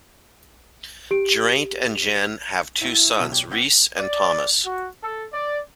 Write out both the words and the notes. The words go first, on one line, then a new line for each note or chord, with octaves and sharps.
Geraint and Jen have two sons, Rhys and Thomas.
G4 D7
F#3 A3 C4 E4 C#5
B2 F#3 E5
D4 G4 C#5
C4 G4 F#5
D5
F#4
A4
D5